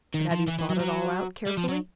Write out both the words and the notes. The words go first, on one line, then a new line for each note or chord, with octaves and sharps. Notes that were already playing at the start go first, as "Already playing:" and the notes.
But have you thought it all out carefully?
D#3
F3
E3
E3
F#3
F#3
G3
F3
F#3